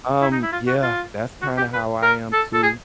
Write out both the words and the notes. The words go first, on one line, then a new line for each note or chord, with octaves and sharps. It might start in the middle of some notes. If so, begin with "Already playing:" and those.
Um, yeah, that's kinda how I am too.
E4
D#4
E4
F4
F#4
F4
F#4
G4
B4
A#4
A4
A4
G#4